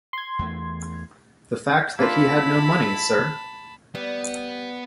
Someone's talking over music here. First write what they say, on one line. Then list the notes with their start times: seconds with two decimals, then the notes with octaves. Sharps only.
The fact that he had no money, sir.
0.13 C6 G#6
0.39 E2 E3 A3
1.99 F2 G#2 A#3 D4 E4 F4 A5 B5
3.95 G3 B3